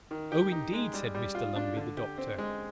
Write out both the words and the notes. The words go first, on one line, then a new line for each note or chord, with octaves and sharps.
'Oh, indeed!' said Mr Lumbey, the doctor.
D#3
G4
D#4
G#3
G3
G3
F4
D4
D3
G4
C4
G#3